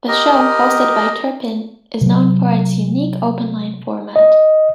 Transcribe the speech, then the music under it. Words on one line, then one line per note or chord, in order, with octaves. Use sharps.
The show, hosted by Turpin, is known for its unique open-line format.
G4 A#4 D#5
C3 F#3
D#5